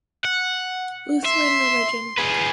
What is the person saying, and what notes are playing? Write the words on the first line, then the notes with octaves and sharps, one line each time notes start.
Lutheran religion.
F#5
E5 C6
G#4 B4